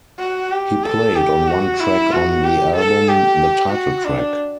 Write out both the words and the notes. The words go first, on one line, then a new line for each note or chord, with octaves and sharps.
He played on one track on the album, the title track.
F#4
G4
A4
G4
F#4
E4
F#4
G4
A4
G4
F#4
D4